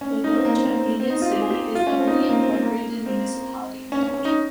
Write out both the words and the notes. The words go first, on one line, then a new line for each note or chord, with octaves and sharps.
The village of Union City is the only incorporated municipality in the township.
C#4
D#4
C4
A#3
C4
A#3
C4
C4
D#4
F4
G4
G#4
G4
F4
C#4
C4
D#4
C4
A#3
C4
C4
A#3
C4
C#4
C#4
C#4
D#4